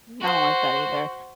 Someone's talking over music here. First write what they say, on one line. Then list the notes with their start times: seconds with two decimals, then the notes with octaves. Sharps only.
I don't like that either.
0.21 F#4 C5